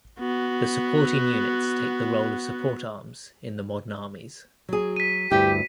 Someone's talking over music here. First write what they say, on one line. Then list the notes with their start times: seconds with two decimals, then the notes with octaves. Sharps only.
The supporting units take the role of support arms in the modern armies.
0.19 B3 F#4
4.69 F#3 G#4
4.96 B6 D#7
5.31 D2 G2 E4 G4